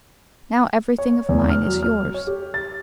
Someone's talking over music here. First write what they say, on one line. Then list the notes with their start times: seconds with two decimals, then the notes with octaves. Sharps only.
Now everything of mine is yours.
0.98 C#5
1.29 E2
1.50 F6
1.66 F#3
1.82 F6
2.14 C#5
2.27 G4
2.54 A6